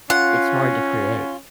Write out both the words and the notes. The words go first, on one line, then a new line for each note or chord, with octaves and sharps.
it's hard to create,
C#4 F4 F#5